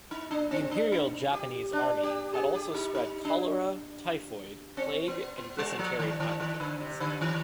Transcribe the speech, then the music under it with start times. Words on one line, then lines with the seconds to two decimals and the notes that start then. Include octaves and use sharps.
The Imperial Japanese Army had also spread cholera, typhoid, plague and dysentery pathogens.
0.11 D#4
0.31 D4
0.51 C4
0.71 D4
0.92 D#4
1.33 G4
1.73 D4
2.03 G4
2.34 G#4
2.54 G4
2.75 D#4
2.95 D#4
3.25 D4
4.77 C4
5.08 B3
5.38 B3
5.58 G3
5.79 F3
5.99 D#3
6.20 D#3
6.40 D#3
6.60 D3
6.80 C3
7.00 D3
7.21 D#3